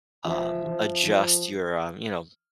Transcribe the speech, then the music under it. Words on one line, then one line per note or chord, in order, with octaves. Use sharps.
um, adjust your, um, you know,
F3 E5
F3
F3